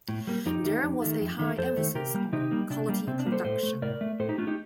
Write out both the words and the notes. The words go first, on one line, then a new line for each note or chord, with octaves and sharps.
There was a high emphasis on quality production.
A2
G3 A#3
F2 D#4 G4
D#3 A3
F2
D#3 A3
F2
D#3 A3
F2 A4 C5
D#3 A3
C3 G4 A#4
G3 A#3
C3 D#4 G4
G3 A#3
C3 D4
G3 A#3
C3 C4
D4
G3 A#3
A4 C5
A2 A4 C5
A3
A2 A#4 D5
A3
A2 A4 C5
D#4 G4
A3 D4 F4
D#4 G4